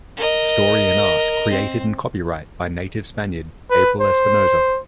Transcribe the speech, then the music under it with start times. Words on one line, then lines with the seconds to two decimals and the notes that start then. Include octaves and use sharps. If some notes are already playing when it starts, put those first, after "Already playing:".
Story and Art, Created and Copyright by native Spaniard, Abril Espinosa.
0.17 A#4 D#5
1.51 C4
3.71 B4
4.00 C5